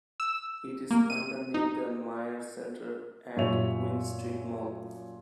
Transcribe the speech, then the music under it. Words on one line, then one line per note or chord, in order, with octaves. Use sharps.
It is underneath The Myer Centre and Queen Street Mall.
E6
A#3
D#7
D#4
F#2 A#2 G3 C#5 E5 F7